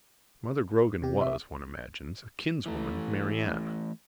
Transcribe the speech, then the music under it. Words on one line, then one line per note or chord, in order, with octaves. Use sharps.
Mother Grogan was, one imagines, a kinswoman of Mary Ann.
C3 G4
E5
E3 A3